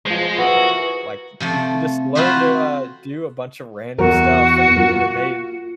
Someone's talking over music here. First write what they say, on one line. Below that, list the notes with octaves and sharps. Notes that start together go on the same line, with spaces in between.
like, you can just learn to, uh, do a bunch of random stuff and it and it made
F3 G#3 C5
B3 E4 F#4 G#4
G#4 A#4
C3 F3 A3
C4 F4 F#4 B4 C5 E5
E2 F#4 A#4
A#3 F4